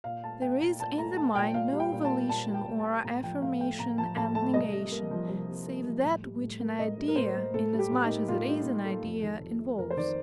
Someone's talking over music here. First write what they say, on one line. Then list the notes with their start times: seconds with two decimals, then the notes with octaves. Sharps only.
There is in the mind no volition or affirmation and negation, save that which an idea, inasmuch as it is an idea, involves.
0.04 A#2 F5
0.23 A3 A5
0.41 A3 G5
0.60 A#2 A#5
0.80 A#2 A5
0.98 A3 A#5
1.17 A3 A5
1.35 A#2 G5
1.54 A#2 F5
1.73 G3
1.80 G5
1.92 A#2
2.05 A5
2.11 A#3
2.29 A#2 A5
2.47 G3
2.54 G5
2.67 A#2
2.79 A5
2.86 A#3
3.04 A2 A#5
3.23 F3 G5
3.42 A2 F5
3.60 A3 G5
3.79 A2 A#5
3.98 F3 A5
4.16 A2 A5
4.35 A3 A5
4.54 C2 D#5
4.72 C3
4.92 A#3
5.11 F3
5.29 C2
5.48 C3
5.66 A#3
5.85 F3
6.04 A2
6.23 G3
6.41 A2
6.60 A#3
6.79 A2 D#5
6.98 G3
7.08 A#4
7.16 A2 C5
7.35 A#3
7.54 A2 A4
7.73 G3
7.79 G4
7.91 A2
8.04 D#4
8.10 A#3
8.28 A2 F4
8.48 G3 D#4
8.65 A2
8.84 A#3 A4
9.04 F2
9.22 D#3
9.41 F2
9.60 A3
9.78 F2 A#4
9.90 C5
9.97 D#3 D5